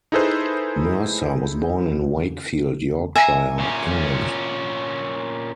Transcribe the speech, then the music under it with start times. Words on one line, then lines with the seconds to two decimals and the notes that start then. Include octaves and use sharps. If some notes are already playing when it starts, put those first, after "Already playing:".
Mercer was born in Wakefield, Yorkshire, England.
0.12 D#4 E4 G#4 A4 B4 C5
3.16 E5 G#5 A#5
3.58 A#2 C#4